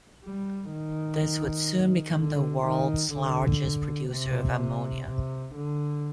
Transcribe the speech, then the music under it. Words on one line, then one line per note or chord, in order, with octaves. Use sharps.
This would soon become the world's largest producer of ammonia.
G3
D#3
D3
D#3
D3
C3
C3
D3